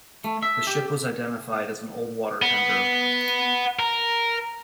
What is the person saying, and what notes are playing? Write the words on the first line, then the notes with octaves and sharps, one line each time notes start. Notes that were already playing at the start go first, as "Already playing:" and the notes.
The ship was identified as an old water tender.
A3
E5
G4
B3
A#4